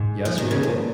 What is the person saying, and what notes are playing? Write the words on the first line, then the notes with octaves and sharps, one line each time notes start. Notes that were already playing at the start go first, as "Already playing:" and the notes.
"Yes, Mabel?"
Already playing: G#2
F3
D#3
C#3
A#2